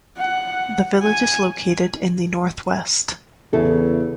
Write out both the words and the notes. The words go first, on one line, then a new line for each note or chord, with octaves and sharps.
The village is located in the north-west.
F#5
G#5
E2 C#3 E4 A4